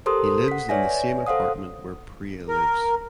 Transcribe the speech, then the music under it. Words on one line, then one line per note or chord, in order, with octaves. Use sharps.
He lives in the same apartment where Priya lives.
G4 A4 A#4 C5 C6 D#6
F#5 B6
B4 C#5 D5 E5 G#5 A#6
A4 C5 F5 F#5 D#6
A#4